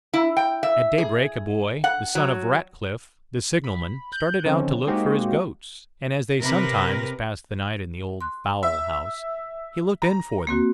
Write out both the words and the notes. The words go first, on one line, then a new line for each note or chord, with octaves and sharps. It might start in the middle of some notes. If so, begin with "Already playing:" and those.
At daybreak a boy, the son of Ratcliff, the signal man, started out to look for his goats, and as they sometimes passed the night in the old fowlhouse, he looked in for them.
E4
G5
E5
G#4
F#5
F#3
B5
F#6 G6
D3 D#3 F3 C4 C#4
G#3 A#3 C4 D#4 F#4 G4
C3 A#4 B4
C6 F#6
E5
A#5
A#3 C4 F#4